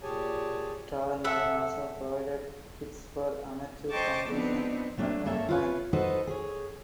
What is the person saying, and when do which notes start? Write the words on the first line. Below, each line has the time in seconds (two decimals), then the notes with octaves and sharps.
Star Marine also provided kits for amateur completion at one point.
0.02 A#2 G4 G#4 C#5 G#5 A5
1.24 A4 E5 F#5
3.89 C5 D#5 G5 A5 C#6 D6
4.27 F3 B3 C4 D4 D#4
4.97 F#3 A3 A#3 D4
5.25 G2 A#3 A4 C#5 E5 A#5
5.49 F4 B4 C#5
5.93 D#4 F#4 A4 B4 C5 D#5
6.27 G#4 C#5